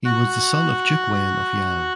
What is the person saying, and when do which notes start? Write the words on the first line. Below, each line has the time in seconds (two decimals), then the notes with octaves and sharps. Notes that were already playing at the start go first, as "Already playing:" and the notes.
He was the son of Duke Wen of Yan.
0.05 F#4 F#6